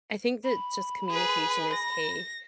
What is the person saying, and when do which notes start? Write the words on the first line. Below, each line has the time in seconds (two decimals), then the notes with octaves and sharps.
I think that just communication is key.
0.44 B5
1.11 G#4 B4
1.72 A#6